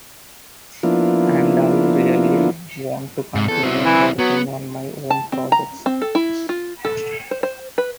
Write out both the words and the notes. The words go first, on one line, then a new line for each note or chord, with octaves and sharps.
And I really want to continue working on my own projects.
F3 A#3 B3 D4 E4 F4
G#2
E2 A4
B2 C4 E4
E3
F#3 B3
A5
C4
A#5
C4
A4
E4
F4
A4
C5
C5
B4